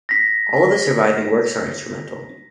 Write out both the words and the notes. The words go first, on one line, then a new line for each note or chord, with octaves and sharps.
All of his surviving works are instrumental.
A#6 B6